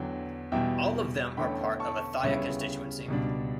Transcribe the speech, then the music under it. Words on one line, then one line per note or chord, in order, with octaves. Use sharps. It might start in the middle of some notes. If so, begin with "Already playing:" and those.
All of them are part of Othaya Constituency.
Already playing: E2 D3 F#3 G5
E2 B2 G3 E5 G5
E2 D3 A3 C#4 G5 B5
A5 C#6
D2 C#3 G3 B3 E4 C#5 E5
C#2 B2 G3 D4